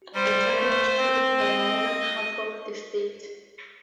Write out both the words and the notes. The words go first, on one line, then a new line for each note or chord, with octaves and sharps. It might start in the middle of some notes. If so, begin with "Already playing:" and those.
A turtle was chosen by more than half of the states.
G3 C5
A3
C4
D#5